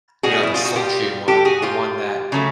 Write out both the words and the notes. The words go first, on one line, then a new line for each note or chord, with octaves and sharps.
you know, the sultry one, the one that
B2 G3 F#4 G#4
E4
F4
F#4
F4 G4
G4 A4
F#4 G#4
F4 G4
C#3 F#3 A3